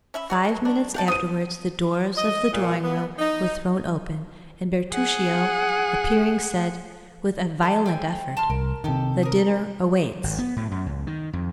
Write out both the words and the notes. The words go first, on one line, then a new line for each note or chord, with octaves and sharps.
Five minutes afterwards the doors of the drawing-room were thrown open, and Bertuccio appearing said, with a violent effort, "The dinner waits."
C#4 E5 B5
F#4 G#4 D5
B2 A4
D4
G4 F#5 A5
B3 C5 D#6 D#7
D#5
A#2
B3
D#4
G#4 F#5
A4 D#5 A5
C4 G5 G#5
A5 C6 F6
C2 A#4
C3 D#3 D#4 G4 A4
A#4 D#6
G#1
B3
A2
F#2
C#2
D#3
F2